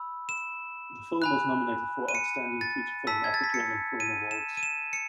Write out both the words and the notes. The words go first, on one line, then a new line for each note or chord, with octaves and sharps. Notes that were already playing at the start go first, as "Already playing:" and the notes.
The film was nominated for Outstanding Feature Film at the German Film Awards.
Already playing: B5 E6
E7
G#5 B5 F#6
D#7
C#7
A6
A5 E6 B6
G#6
A6
B6
C#7
D#7
E7
D#7
E7
C#7